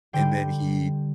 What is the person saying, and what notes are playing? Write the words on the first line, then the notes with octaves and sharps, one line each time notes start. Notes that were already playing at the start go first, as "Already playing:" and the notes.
and then he
D3 G3 G5